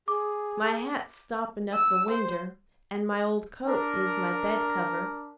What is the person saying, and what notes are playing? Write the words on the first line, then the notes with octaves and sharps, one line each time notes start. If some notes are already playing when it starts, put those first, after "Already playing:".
My hat's stoppin' up the winder, and my old coat is my bed-cover.
G#4 D6
E6
C5
D4 A#4